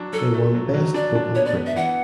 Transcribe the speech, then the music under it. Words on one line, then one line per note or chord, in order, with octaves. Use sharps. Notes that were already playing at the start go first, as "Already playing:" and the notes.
They won Best Vocal Group.
Already playing: F#3 D4
F#3 A4
A3
F#3
F#3
D4 D5
D4
B3 C#5
D5
B3
E5
E3 F#5